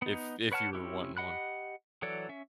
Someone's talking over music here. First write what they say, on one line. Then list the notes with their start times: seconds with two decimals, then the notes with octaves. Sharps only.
if if you were wanting one.
0.02 B3 D#4
0.52 B4 C#5 F#5 A5 F6
0.73 C4 C#4 E4 G4
1.17 G4 D#5 F#5 B5 F#6
2.02 E3 F#3 A4 C#5 D5
2.29 C#4 E5